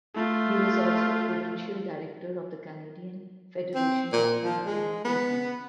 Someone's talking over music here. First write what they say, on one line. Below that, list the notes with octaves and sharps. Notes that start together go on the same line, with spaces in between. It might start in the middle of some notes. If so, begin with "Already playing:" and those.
He was also provincial director of the Canadian Federation of Independent Business.
A3 F4
C4
A#2
F3
G#3
B3